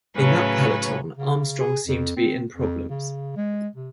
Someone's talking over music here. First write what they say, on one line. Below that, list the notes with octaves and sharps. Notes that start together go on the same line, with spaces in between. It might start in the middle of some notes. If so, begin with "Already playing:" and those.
In that peloton, Armstrong seemed to be in problems.
A2 C#3 F#3 C#4 B4
C#3
G#4
F2
C4
F2
C#3
G#3
C3